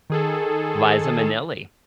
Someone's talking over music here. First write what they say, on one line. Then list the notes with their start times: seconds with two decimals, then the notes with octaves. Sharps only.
Liza Minnelli.
0.10 D#3 G#4 A4